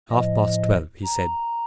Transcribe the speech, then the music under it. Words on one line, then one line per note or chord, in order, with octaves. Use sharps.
"Half-past twelve," he said.
A2 F3 D#5
A#5